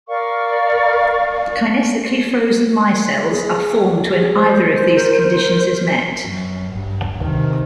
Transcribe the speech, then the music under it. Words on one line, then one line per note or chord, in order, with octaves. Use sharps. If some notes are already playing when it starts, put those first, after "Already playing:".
Kinetically frozen micelles are formed when either of these conditions is met.
A#4 D5 F5 C#6
G#4
C5
A#4
F#2
G2
C3 D#3